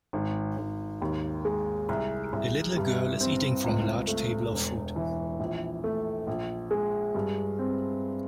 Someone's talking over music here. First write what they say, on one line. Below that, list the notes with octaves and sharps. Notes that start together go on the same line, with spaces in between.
A little girl is eating from a large table of food.
G#1
G#1
D#2
G#3
C2
C2
G2
C4
C#2
A3
E1
E3
A#1
A3
A#1
G#3
G2
C4